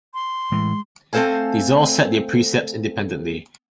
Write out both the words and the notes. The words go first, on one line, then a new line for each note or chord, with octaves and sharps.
These all set their precepts independently.
C6
A2 E3 G#3
A3 C4 A4 C5 F5 G#5